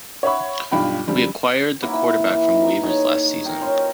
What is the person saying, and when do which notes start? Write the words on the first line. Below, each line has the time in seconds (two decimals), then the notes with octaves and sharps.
We acquired the quarterback from waivers last season.
0.23 C#5 E5 F#5 B5 C#6
0.71 B1 G2 F4 G5 B5
1.08 F#2 D3 F3 G3
1.82 A#3 E4 F#4 B4
2.27 E3
2.54 D#4
2.83 D#4 G#4 C#5
3.45 A#4 D#5 G5 A#5
3.62 C#4 F4 C5 C#5